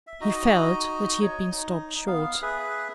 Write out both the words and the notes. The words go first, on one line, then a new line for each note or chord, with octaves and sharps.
He felt that he had been stopped short.
E5
D#4 F#4 D#5 A#5
C#5
D#4
B3 F5
G#4 B4 E5